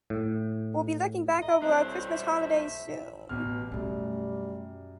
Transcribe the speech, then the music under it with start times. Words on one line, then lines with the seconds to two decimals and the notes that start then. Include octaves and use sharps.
We'll be looking back over our Christmas holidays soon.
0.10 A2
1.42 D#5 E5 A#5
1.62 G2 C4 E4 C5 C#5 A5 F#6
2.14 E5
3.29 A1 B2 F6
3.72 F#2 B2 G3 A3